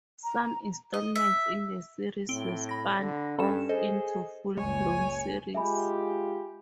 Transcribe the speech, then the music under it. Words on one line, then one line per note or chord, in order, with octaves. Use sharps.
Some installments in the series were spun off into full-blown series.
A#5
D#5
E5
A2 C4 D7 G7
B5 A#6
D3
G2 C#4 A4 E7
G#4 A4 C5 D#5
F#1 C#2 G#3 C#5 G#5
G#3 F4 G4 E5 G#5 B5